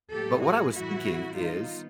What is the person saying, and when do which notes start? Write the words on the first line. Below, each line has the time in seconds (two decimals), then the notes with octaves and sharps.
but what I was thinking is,
0.12 A2 F#3 A#3 G4 A4
0.43 F#4 G#4
0.74 A2 E3 G3 B3 E4 F#4
1.37 D#3 G3 B3 D#4 F4